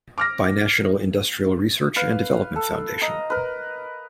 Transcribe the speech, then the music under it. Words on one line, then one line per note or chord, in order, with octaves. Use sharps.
Binational Industrial Research and Development Foundation.
D6 F6 A#6
B4 F5
A4
D#5 A#5
A#4 B4